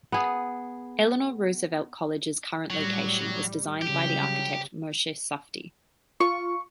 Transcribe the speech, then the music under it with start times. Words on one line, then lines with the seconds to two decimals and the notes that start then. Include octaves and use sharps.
Eleanor Roosevelt College's current location was designed by the architect Moshe Safdie.
0.12 B3 G#4
2.70 A2 F#3 G3
3.82 C#3 F#3 G3 G4
6.20 F4 C#6